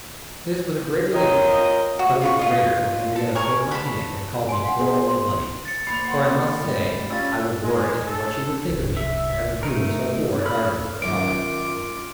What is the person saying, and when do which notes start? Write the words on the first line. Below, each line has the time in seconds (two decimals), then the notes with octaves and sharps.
This was a great relief to me, but it was greater when Henriette stroked my hand and called me "poor old Bunny," for I must say I was worried as to what she would think of me for having proven so poor a guardian of her property.
1.14 C4 F4 A#4 C#5 D#5
1.99 F#4
2.21 F4 B5 C#6
2.39 F4 D#5
3.16 A4
3.35 A#4 C#5 G#5 C#6
3.71 A4 B5
4.49 G#5 C6
4.64 F5 F#5
4.79 B3 G#4 C5
5.08 C6
5.65 A6 C#7
5.87 A#3 C5 D5 B5 A6 C7 F7
6.08 F#5 C6
6.61 G#2 G3 A3
7.10 G3 C#4 F4 E6 A6
7.62 G#3
8.07 A4
8.68 D1 C2
8.97 E5
9.63 B2 A3 D#4 A#4
10.45 A4 B5 F6
11.02 F#2 D#3 F4 D6 D7